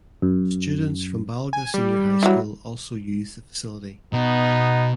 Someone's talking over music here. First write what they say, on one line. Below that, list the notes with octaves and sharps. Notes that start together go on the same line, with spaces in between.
Students from Balga Senior High School also use the facility.
F#2
G#5
G3
E3 F#3
B2 B3 D#4